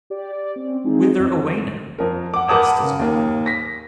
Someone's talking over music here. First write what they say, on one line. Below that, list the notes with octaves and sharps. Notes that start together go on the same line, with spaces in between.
'Whither away, now?' asked his old dame.
G4 D5
D5
C4 C#4
G#3 C4 D#4 F4 G#4
F2 C4 E4 D#5
F2 A#4
F#5 D6
A#4 B4 F#5 A5 D6 D#6
C#3 A#4
D#2 A#3
A#6 B6